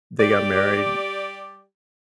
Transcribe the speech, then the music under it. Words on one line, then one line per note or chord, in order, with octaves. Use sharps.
they got married.
G3 G4 D5